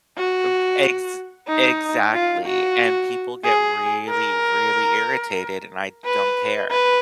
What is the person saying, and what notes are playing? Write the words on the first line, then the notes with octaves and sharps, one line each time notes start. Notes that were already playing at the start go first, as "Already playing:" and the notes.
Of ex exactly, and people get really, really irritated, and I don't care.
F#4
D#4
F4
F#4
G#4
A#4
B4
B4